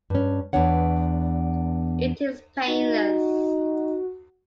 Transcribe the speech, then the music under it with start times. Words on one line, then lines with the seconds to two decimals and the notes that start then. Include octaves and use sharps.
It is painless.
0.10 G2 C#4
0.53 E2 B3 D4 C#5 F#5
2.67 D#4 F#4